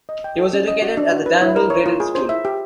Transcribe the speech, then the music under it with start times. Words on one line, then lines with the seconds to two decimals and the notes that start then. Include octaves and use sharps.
He was educated at the Danville Graded School.
0.09 D#5
0.24 G5
0.38 A4
0.53 C#4
0.68 D#5
0.82 F#4
0.97 D4
1.12 F#4
1.26 B4
1.42 E4
1.56 A#4
1.70 C#5
1.86 F4
2.00 G#4
2.15 C5
2.29 E5
2.45 G4